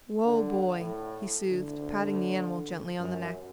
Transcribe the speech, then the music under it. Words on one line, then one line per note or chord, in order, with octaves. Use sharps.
"Whoa, boy," he soothed, patting the animal gently on the neck.
D3
A2
D3
F#2